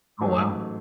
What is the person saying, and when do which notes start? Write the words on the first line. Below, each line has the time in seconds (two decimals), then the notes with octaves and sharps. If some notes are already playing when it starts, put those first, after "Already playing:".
Oh, wow.
0.21 A1 G#2 F#3 A3